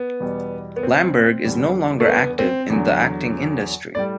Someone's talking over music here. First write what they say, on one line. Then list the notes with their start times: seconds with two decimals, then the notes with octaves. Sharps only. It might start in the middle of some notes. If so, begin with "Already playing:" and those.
Lamberg is no longer active in the acting industry.
Already playing: B3
0.20 E2 B2 G3
0.76 B3
0.83 C4
1.45 E2 D3 G3
2.00 A3
2.08 B3
2.39 C4
2.70 E2 D3 F#3
3.95 A2 G3 D5